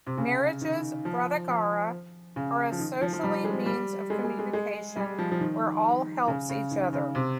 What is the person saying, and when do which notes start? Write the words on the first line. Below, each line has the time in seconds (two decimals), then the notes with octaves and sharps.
Marriages, Brataghara are a socially means of communication where all helps each other.
0.07 C3
0.17 C#3
0.61 D#3
1.05 F3
1.48 F3
2.36 C#3
2.72 F3
2.79 D#3
3.01 F3
3.13 F3
3.23 G3
3.44 G#3
3.66 G3
4.10 G#3
4.24 G#3
4.39 G#3
4.53 G#3
4.96 G3
5.18 F3
5.32 F3
5.40 D#3
6.28 C#3
6.49 C#3
6.71 D#3
6.93 C#3
7.15 C3